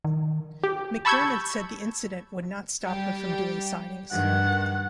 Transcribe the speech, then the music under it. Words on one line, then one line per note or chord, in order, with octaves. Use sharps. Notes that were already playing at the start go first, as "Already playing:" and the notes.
McDermid said the incident would not stop her from doing signings.
D#3
G4
A5 B5 C#6 E6 G6 G#6
G3 G4
G2 D#3 F#5